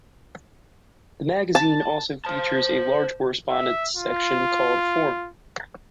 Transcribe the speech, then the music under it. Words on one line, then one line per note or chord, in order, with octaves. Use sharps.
The magazine also features a large correspondence section called "Forum".
A5
C5 A5
E5
F4